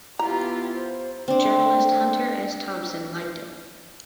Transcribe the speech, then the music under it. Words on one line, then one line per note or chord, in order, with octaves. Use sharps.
Journalist Hunter S. Thompson liked it.
B3 E4 F4 G4 A#5
C5
C4 D4